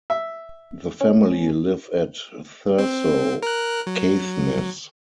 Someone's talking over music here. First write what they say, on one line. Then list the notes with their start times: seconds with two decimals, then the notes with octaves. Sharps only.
The family live at Thurso, Caithness.
0.10 E5
1.01 C#4
2.79 C4
3.43 A#4 F#6
3.87 F#3